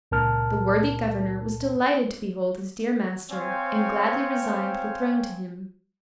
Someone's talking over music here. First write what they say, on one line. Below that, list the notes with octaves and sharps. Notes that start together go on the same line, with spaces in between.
The worthy Governor was delighted to behold his dear master, and gladly resigned the throne to him.
C#2 A#2 A#4 A5 F6
C4 C5 C#5 F5 G5 G#5